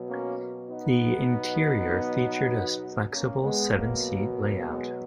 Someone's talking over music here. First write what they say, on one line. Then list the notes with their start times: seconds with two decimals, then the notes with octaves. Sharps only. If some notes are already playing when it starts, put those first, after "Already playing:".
The interior featured a flexible seven-seat layout.
Already playing: B2 F#3
0.08 A#3 C#4
0.69 B3 D#4
1.30 B2 F#3
3.12 A#3 C#4
3.43 G#3 B3
3.72 B2 F#3 A#3
4.33 A#3
4.64 G#3 B3